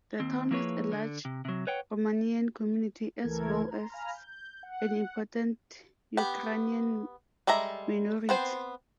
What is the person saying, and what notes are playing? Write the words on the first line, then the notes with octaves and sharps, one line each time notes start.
The town has a large Romanian community as well as an important Ukrainian minority.
D#2 C4
F3 A#3 E4 G#4 B4 C#5
D3
C3
C3 F#3
B4 C#5 F#5 G5
C#2 E3 A3 A4 A#4 G#6
A#5 C6
F5 G#5 A#5 B5 F6
G6
F#5
B3 G4
G3 G#3 A4 E5 A#5
B3 C4 C5